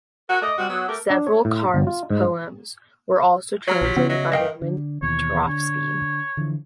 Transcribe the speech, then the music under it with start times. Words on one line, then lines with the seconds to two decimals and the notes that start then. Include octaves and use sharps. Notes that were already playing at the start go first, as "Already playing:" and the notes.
Several Kharms poems were also translated by Roman Turovsky.
0.30 F#4 A#4 F#5
0.42 A3 D5 D#5
0.57 C3 G3 F#4
0.69 F#3 B3
0.88 A3 G4 A4 A#4
1.10 D4
1.27 C#5
1.45 A2
1.74 G1
1.87 F4
2.10 G#2
3.68 F#3 C#5 A#5 F6
3.82 A#1 F3 F4 G4
3.97 C#3 B3
4.09 F#3 D#5 E5
4.32 F#2 D#3 D#5 F5 G5
4.62 D3
5.02 D#2 B2 E3 C#5
5.47 D3 C#5
6.37 D3 E3 F3